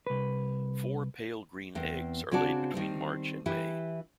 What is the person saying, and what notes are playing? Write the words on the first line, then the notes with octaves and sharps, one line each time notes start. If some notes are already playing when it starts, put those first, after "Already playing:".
Four pale green eggs are laid between March and May.
C2 B4
E2 C4
C#3 C4 D4 F#4 D5 A5
D#3 G3 C4
E3 E4 G4